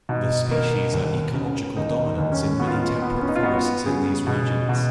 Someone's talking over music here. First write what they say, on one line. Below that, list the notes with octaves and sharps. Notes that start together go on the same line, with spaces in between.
The species are ecological dominants in many temperate forests in these regions.
B2 D#4
A#3
D#2
C#3
D#2 D#4
D#4
D#2
C#4
B3 F#4
F4
D#4
F4
B3
C#4
D#4
F4
B3 F#4
C#3 G#4
B2
B2